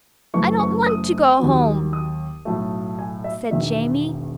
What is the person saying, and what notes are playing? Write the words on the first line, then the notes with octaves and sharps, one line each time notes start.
"I don't want to go home," said Jamie.
F#1 F#2 E3 A3 C#6
C#6
D#6
D#2 D#3 F#3
D#6
B1 A2 F#3 A3
G#5
E5
E1 E2 D#3 E5